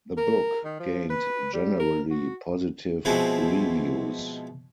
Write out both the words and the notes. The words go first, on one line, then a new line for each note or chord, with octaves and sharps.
The book gained generally positive reviews.
A#4
D#3
F3
B4
G3
A#4
F#4
B2 F3 G#3 C4 E4 B4